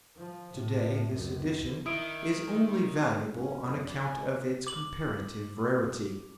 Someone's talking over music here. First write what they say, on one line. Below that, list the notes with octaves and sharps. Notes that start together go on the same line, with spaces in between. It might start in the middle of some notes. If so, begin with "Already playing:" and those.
To-day this edition is only valuable on account of its comparative rarity.
F3
A2
C#2 F#2
D#3 E4 D#6 D7
C#4
F#2
D5
G#5
G#3
D6 F#7